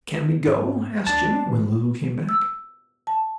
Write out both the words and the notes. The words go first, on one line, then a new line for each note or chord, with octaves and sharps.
"Can we go?" asked Jimmie, when Lulu came back.
G#2
D#2 D4 A5
G#3
E3
E6
A5